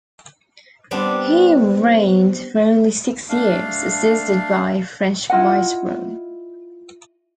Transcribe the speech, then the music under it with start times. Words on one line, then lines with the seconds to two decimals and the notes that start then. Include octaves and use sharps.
He 'reigned' for only six years, assisted by a French Viceroy.
0.91 G3 B3 C4 D4
3.29 A3 D4 F5
5.30 E4 F4 D#5 F#5